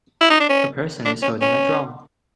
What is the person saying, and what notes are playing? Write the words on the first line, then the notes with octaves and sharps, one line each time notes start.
A person is holding a drum.
E4
D#4
D4
C#4
D4
C#4
C#4